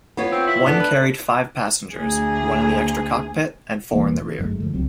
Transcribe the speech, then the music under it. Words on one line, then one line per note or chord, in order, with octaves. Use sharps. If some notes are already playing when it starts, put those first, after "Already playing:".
One carried five passengers, one in the extra cockpit and four in the rear.
B3 F4 C#5
C4
E4
B3 D4 A4
B4
D2 G#4
E1 F#2 E3 A#3
D#3
G1 F#2 G#3 A3
D3 F3
C#2 D3 F#3 C4